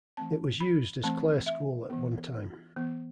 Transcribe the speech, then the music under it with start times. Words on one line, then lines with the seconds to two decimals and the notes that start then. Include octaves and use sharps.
It was used as Clare School at one time.
0.17 E3 A3 C4 A5
0.60 B5
1.04 E3 A3 C4 A5
1.46 E5
1.90 E3 B3
2.76 E3 B3